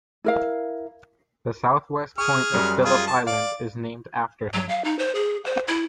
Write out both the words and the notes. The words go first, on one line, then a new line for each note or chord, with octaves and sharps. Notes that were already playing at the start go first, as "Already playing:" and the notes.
The south-west point of Phillip Island is named after him.
E4 A#4 F5
G#4 C#6 F6
F#2 G3
F4 G#4
A5
D5 F5
F#3
F5
D#4
C5
G#4
C5
E4